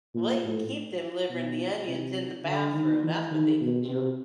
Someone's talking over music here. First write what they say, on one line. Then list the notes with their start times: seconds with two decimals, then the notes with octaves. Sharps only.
Well, they can keep them delivering the onions in the bathroom, that's what they can do,
0.15 A#2
0.44 A2
1.29 B2
1.88 C3
2.44 D3
2.73 D#3
3.03 E3
3.31 D#3
3.61 B2
3.89 C3